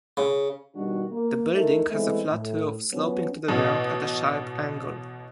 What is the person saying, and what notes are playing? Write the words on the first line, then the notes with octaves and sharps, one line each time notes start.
The building has a flat roof sloping to the ground at a sharp angle.
C#3
B2 D#3 G3 D4 F#4
A#3
A3 D#4 E4 A#4
E3 G#3 A3 B3 C4 E4
A2
F3 F#3 B3 C#4
A1 B2